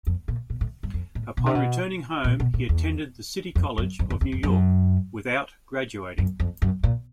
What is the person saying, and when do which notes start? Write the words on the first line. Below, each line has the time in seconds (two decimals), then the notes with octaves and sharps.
Upon returning home, he attended the City College of New York without graduating.
0.07 F2
0.28 A#2
0.50 A#2
0.61 A2
0.83 G2
0.94 F2
1.15 A2
1.37 B2
1.46 C3
1.55 B2
2.24 A#2
2.40 B2
2.54 A#2
2.69 E2
3.55 F2
3.78 F#2
3.99 F2
4.10 E2
4.21 E2
4.32 F2
4.43 F#2
6.18 F#2
6.40 F2
6.62 F#2
6.83 A#2